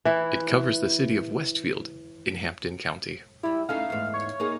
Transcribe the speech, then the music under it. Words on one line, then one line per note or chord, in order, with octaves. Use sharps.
It covers the city of Westfield in Hampden County.
E3 E4
G3 E4 G4
A3 C#4 D#4 F5
E2 G#2
C#5
A#3 D#4 G#4